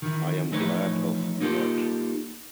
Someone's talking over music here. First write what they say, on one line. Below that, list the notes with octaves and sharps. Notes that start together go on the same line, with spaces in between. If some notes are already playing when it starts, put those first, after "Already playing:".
I am glad of that!
D#3 E3
E3 F3 A3 D#4 B4 C#5
A#3 D#4 F4 G4 A4